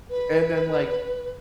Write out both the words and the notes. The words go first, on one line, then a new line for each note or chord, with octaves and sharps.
and then, like
B4